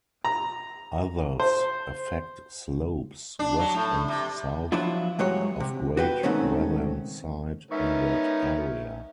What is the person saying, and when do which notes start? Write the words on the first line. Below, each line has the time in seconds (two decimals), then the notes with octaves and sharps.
Others affect slopes west and south of Great Whernside in that area.
0.25 A#5
1.40 C5
3.39 D4
3.59 F#3
3.75 A2
4.08 C3
4.72 F3 F#3 D4 E4 F4
5.19 G2 F#3 G#3 F#4 C#5
5.60 C3
5.97 F#4 B4 G5
6.23 G#2 B2 D#3 A3 C4 C#4
7.71 G#3 B3 C#4 D#4 A#4 E5 C#6